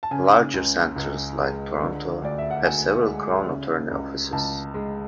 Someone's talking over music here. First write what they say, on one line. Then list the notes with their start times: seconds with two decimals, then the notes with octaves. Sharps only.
Larger centres like Toronto have several Crown Attorney Offices.
0.03 A5
0.11 C#3 G#5
0.54 C#2
0.96 C#2
1.38 G#3
1.80 D3
2.22 D2 D5
2.38 E5
2.51 F#5
2.64 D2 G#5
3.07 G#3
3.49 C#3
3.91 C#2
4.33 C#2 A5
4.74 G#3